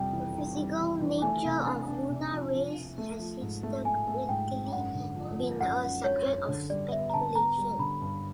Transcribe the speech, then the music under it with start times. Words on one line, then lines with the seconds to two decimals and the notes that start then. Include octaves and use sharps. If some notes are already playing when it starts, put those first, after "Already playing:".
The physical nature of lunar rays has historically been a subject of speculation.
Already playing: F2 C3 G3 G5
0.13 E3
0.34 G3
0.57 G3
0.79 E3
1.00 E3
1.22 A3 G#5
1.45 C3
1.66 D4
1.88 D4
2.10 C3
2.32 F3
2.53 F3
2.75 F3
2.98 A3
3.19 F3
3.42 G#2
3.63 A3
3.85 A3 G#5
4.07 A3
4.29 G#2 G5
4.51 G#2
4.73 F#2 F#5
4.94 D3
5.16 F3
5.39 F3
5.61 F#2 F#5
5.82 F#2
6.04 F#2 C#5
6.27 F#2
6.48 D3
6.70 G3 D5
6.91 B3 E5
7.10 A#5
7.14 D3 A5
7.35 B3 A#5
7.58 G3
7.79 D3 B5
8.02 G2